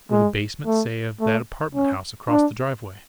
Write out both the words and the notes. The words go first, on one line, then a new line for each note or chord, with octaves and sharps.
Or the basement, say, of that apartment house across the driveway?
G#3
A3
A3
C#4
D4